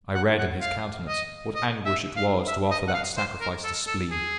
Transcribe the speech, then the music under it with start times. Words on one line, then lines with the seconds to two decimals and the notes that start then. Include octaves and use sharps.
I read in his countenance what anguish it was to offer that sacrifice to spleen.
0.15 F#5
0.38 F#5
0.61 F5
1.08 D#5
1.55 D#5
1.86 E5
2.16 F5
2.47 E5
2.71 D#5
2.88 F#5
2.94 F5
3.17 C5
3.41 A#4
3.64 A4
3.87 A4
4.11 G#4